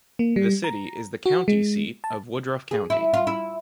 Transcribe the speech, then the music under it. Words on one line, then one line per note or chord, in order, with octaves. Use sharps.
The city is the county seat of Woodruff County.
A#3
G3
A#5
F#4
G#3
A5
G#4
E4
F4
E4